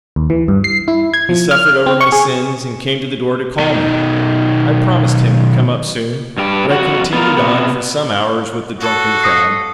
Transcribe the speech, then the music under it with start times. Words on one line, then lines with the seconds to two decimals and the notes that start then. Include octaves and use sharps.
He suffered over my sins and came to the door to call me. I promised him to come up soon, but I continued on for some hours with the drunken crowd.
0.16 D#2
0.30 E3
0.48 G2
0.64 C7
0.88 E4
1.14 G#6
1.29 F3
1.51 F6
1.86 C4
2.01 C#6
2.12 G#4
3.59 B1 D#3
6.38 G2 G4
6.70 F2 F#4 F#5
7.14 B3 F4 A#4
7.37 C3 B3
8.81 F#4 A4
9.23 D#6 A#6 C7